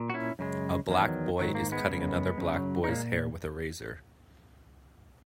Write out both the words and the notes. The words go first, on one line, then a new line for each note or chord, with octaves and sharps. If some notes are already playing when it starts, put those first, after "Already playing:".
A black boy is cutting another black boy 's hair with a razor.
Already playing: A#2
F#4
C#4 E4
F#2 C#3 G#3
E2 D#3 F#3
G#2 D#3 F#3
A#3
G#3 B3
F#2 C#3
F#2 C#3 F#3
D#4
A#2 G#3 A#3 C#4